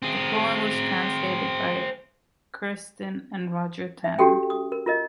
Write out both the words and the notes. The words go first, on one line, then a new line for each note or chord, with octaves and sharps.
The poem was translated by Kerstin and Roger Tanner.
C4 G#4
E5
C#4 F#4 G4 A4 G5
D#6
A#4
F4 A#4 D#5